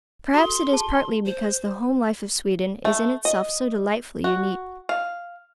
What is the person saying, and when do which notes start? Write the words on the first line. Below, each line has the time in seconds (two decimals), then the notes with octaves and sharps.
Perhaps it is partly because the home-life of Sweden is in itself so delightfully unique.
0.34 F#4 A4 C6
0.72 G#4 A5
1.26 C5
2.85 A3
3.25 D#5
4.24 F#4
4.89 F5